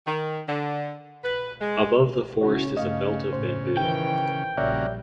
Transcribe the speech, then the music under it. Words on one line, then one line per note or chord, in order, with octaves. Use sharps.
Above the forest is a belt of bamboo.
D#3
D3
B4
G#3
C#3 C#4 E4 F#4 C#5
G2 C#3 A3 D#5 F5
A2 C5
D#3 E3 G5
A#1 C#3 G3 A#3 F#4 C#5 D5 E5